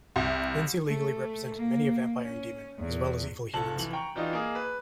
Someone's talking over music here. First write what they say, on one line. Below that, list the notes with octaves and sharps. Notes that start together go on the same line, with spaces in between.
Lindsey legally represented many a vampire and demon, as well as evil humans.
C2
A3
A#3
C#4
E2
F1 F3 A4 A5 F#7
F1 E3 F#7
G5 A#5 C#6
E3 D4 D#4 F4 G4 D#5
A#3 G#4 D#5
B4